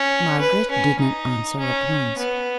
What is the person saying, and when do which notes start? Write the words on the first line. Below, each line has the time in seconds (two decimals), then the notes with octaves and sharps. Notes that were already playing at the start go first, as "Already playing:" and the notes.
Margaret did not answer at once.
Already playing: C#4
0.40 B4
0.71 C#4
1.00 D#4
1.59 C#4
2.18 B3